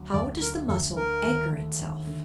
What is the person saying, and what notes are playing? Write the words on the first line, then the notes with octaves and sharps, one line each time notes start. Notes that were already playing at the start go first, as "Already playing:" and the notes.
How does the Mussel anchor itself?
Already playing: D2 F#3
D2 D5
D3 A#4
D2 A4
D3 A#4
D#2
A3
D#2
D3